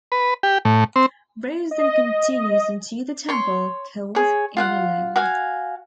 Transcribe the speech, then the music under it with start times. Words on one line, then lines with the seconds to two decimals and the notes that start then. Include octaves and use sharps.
Rose then continues into the temple, cold and alone.
0.12 B4
0.43 G4
0.65 A2
0.96 C4
1.71 D#5
3.29 C#5 C6
4.15 G#4 C#5
4.57 F4 F5 F#5
5.16 F#4 F5 G#5